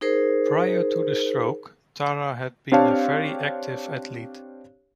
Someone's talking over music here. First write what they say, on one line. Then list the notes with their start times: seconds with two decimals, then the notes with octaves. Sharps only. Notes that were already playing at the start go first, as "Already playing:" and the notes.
Prior to the stroke, Tara had been a very active athlete.
0.01 D#4 G#4 A#4 C5
2.72 C4 D4 G4 C#5 F5 A5